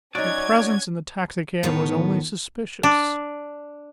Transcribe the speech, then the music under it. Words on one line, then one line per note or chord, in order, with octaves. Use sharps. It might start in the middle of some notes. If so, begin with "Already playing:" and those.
Your presence in the taxicab was only suspicious.
F#3 C#4 D#4 F#4 D5 G#6
A2 D#3 B3 C#5
D4